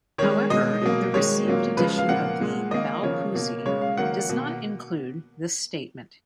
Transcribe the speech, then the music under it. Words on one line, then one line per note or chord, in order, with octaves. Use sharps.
However, the received edition of the "Baopuzi" does not include this statement.
D#3 G#3 C#5
B2 G#3 D#5
B2 F#3 A#3
D#3 G#3 C#5
A#2 F#3 A#3
C#3 F3 G#3 B4
F5
A#2 F3 A#3 F#5
A#2 G#3
D#3 A#3 D#5
C#3 F3 A#3 C#5
B2 A#3
C#3 G#3 C#5
F5
D#3 F#3 A#3 F#5
B2 A#3